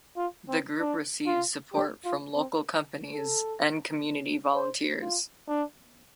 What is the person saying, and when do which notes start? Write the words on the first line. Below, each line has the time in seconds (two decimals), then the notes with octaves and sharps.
The group receives support from local companies and community volunteers.
0.17 F4
0.48 C4
0.80 D4
1.27 F4
1.73 G4
2.05 F4
2.36 C4
3.14 A4
4.54 C5
5.01 F4
5.48 D4